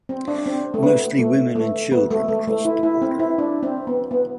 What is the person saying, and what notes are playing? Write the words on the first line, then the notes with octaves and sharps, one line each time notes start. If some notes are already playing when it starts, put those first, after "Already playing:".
Mostly women and children crossed the border.
C4
D4
C4
A3
B3
A3
A3
B3
A3
A3
A3
E4
E4
C4
E4
D4
C4
B3
B3